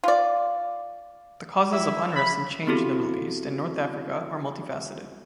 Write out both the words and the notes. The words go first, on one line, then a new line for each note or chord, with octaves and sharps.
The causes of unrest and change in the Middle East and North Africa are multifaceted.
F4 D5
E4 E5
B5
B3 C4 E4 F#4 G4 A4